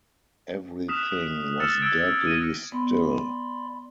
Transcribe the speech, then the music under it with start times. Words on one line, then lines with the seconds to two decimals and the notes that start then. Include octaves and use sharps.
Everything was deadly still.
0.89 D#6 F6 F#6 B6 E7 F7
1.59 E6 F6 A6 C#7 E7
1.82 E6 G#6 A6 D7
2.26 A#6 D#7
2.72 B3 D5 B5 C6